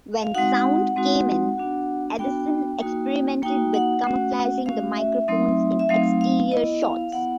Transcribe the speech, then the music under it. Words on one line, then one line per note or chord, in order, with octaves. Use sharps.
When sound came in, Edeson experimented with camouflaging the microphones in exterior shots.
F5
G#3 C4 D#4 F#4 F#5
G#3 C4 D#4 F#4
B3 D4 F#4
B3 D4 F#4 G5
A#3 D#4 F#4
A#3 D#4 F#4 G5
F#5
A3 C#4 F#4
A3 C#4 F#4 F5
E5
F#3 A3 C4 D#4
E5
F#3 A3 C4 D#4 F5
F5
B3 E4 D#5
F5
B3 E4 F#5